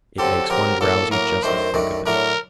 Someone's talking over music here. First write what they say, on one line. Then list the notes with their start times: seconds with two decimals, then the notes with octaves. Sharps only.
It makes one drowsy just to think of it!
0.18 D3 F#3 C4 G4 A4
0.50 D3 F#3 C4 G4 A#4
0.81 A2 F#3 A#3 A4
1.11 A2 F#3 A#3 A#4
1.43 F#2 D#3 A3 D4 C5
1.74 F#2 D#3 A3 D4
2.06 A2 F#3 A3 D4 A#4